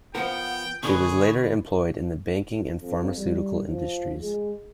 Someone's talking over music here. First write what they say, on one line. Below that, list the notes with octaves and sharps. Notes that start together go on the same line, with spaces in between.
He was later employed in the banking and pharmaceutical industries.
F3 B3 A#4 F#5 G5
B2 D3 G#4 B4 C#6
F2
G3
F3
G#3